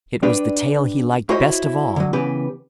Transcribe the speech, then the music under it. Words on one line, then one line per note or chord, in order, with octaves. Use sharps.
It was the tale he liked best of all.
D4 G4 B4 D5
E4 F#4 C5 C#5 D#5
D3 F#3
C#3 E3 B3 G4 B4